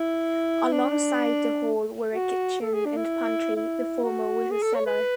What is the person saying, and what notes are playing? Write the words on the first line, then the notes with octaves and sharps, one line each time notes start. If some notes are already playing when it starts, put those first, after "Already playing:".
Alongside the hall were a kitchen and pantry, the former with a cellar.
Already playing: E4
D4
F#4
A4
G#4
D4
E4
E4
F#4
G#4
A4
C#5
B4